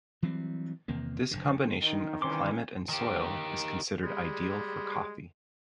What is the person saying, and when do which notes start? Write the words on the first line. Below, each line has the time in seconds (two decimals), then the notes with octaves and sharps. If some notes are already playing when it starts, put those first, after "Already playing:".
This combination of climate and soil is considered ideal for coffee.
0.22 E3 F#3 G3 C4
0.88 E2 C3 D#3 A#3
1.31 F1 A#1 D3
1.82 D#3 D#4
2.22 C3 D#3 E3 G3 C#4 C6 D6
2.89 D#3 G4
4.02 G3 G#3